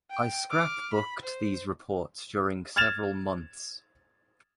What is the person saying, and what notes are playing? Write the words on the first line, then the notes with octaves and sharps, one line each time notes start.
I scrapbooked these reports during several months.
G5
D6 F6
B5
C5
F6 G#6 A6 E7 F7